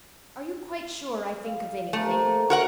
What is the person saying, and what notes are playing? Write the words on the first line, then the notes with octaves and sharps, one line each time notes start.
"Are you quite sure I think of anything?"
F5
C3 A3 A#3 G4
D#3 F#4 A#4 C#5 F#5